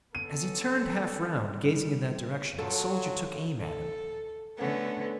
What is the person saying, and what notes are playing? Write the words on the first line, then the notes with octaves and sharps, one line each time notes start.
As he turned half round, gazing in that direction, a soldier took aim at him.
B3 C#4 A4 D#7
G3
F#3 F4 A4 C#5 C6
A4
D3 A3 B3 C#4